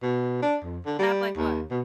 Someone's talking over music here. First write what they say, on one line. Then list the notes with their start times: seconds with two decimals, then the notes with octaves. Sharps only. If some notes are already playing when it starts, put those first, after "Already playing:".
App like what?
0.02 B2
0.42 D4
0.64 F2
0.86 D3
0.99 G3
1.36 D#2
1.71 B2